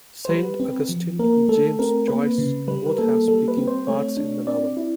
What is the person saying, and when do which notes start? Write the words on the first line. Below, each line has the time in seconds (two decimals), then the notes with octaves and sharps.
Saint Augustine and James Joyce both have speaking parts in the novel.
0.25 C5
0.29 G3 B4
0.60 C4
0.89 F3
1.19 A#3 A#4
1.49 A3 A4
1.79 C4 A#4
2.08 A#3 B4
2.38 C#3
2.68 G3 B4
2.87 A#4
2.98 A#3 A4
3.28 G3 A4
3.48 B4
3.57 C4
3.68 C5
3.87 A3 C#5
4.17 D4
4.47 C4 D5
4.77 E4